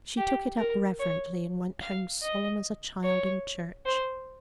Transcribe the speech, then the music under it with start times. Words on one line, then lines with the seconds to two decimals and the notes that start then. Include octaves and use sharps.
She took it up reverently and went home solemn as a child in church.
0.18 G4
0.58 A#4
0.99 C#5
1.81 F5
2.22 D#5
3.04 C#5
3.86 C5